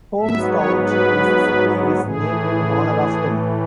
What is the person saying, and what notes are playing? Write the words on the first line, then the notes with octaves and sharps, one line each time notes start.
Holmes County, Mississippi is named in honor of him.
G#2 F#3 B3 E5
C#5
B4
A2 E3 A3 G#4